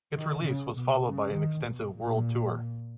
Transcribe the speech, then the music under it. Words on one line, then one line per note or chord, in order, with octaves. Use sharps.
Its release was followed by an extensive world tour.
D#3
C#3
B2
C#3
D#3
B2
A#2